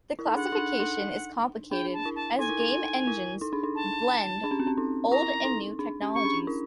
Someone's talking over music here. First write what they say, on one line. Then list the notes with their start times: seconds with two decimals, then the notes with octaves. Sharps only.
The classification is complicated as game engines blend old and new technologies.
0.19 E4
0.27 D#4
0.35 D4 F#5
0.52 D#4
0.57 D4
0.80 D#4
1.70 D4 G5
1.93 A5
2.05 E4
2.16 A5
2.39 D#4 G#5
2.49 E4
2.60 D#4
2.72 D#4
3.07 E4
3.41 D#4
3.53 D4
3.63 D#4
3.75 A5
4.44 D4
4.51 C#4
4.60 C4
4.67 C#4
4.78 D#4
5.11 E4 A#5
5.45 D#4
5.79 D4
6.02 C#4
6.14 C#4 C#6
6.25 D4
6.47 E4